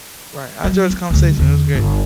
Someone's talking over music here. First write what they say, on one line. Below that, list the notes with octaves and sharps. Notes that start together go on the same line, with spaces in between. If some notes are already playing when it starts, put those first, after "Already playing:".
Right. I enjoyed this conversation, it was great.
F#3
C4
D2 G3
E2 D3
G1